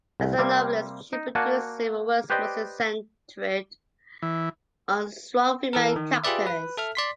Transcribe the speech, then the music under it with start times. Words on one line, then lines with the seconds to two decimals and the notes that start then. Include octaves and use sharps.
As a novelist, she produced several works mostly centred on strong female characters.
0.20 C2
0.38 C3 G3 A#3 C4
1.13 D#4
1.35 A#3 F#4 D5 F#5 G#5 A5
2.30 G4 B4 C5 D5 D#5 G5
4.22 E3
5.73 E3 A4 A#4
5.96 D#3
6.24 F4 G4 G#4 B4 D5 E5
6.47 B4
6.77 A4 E5 F6
6.95 D5 C6 B6